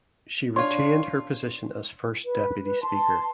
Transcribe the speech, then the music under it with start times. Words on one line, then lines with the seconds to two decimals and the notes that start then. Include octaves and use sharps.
She retained her position as First Deputy Speaker.
0.56 D4 F4 C#5 C6
2.25 B4
2.64 B4
2.82 A5 C6